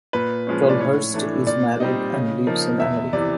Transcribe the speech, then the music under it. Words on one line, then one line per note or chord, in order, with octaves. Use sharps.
Tolhurst is married and lives in America.
A#2 B4
F3 G#3 C#4
D5
A2 C#5
E3 A3 D4
A#2 D5
G3 C4 D#4 D#5
C#3
F3 A#3 D#4
E2 E5
C3 E3 D5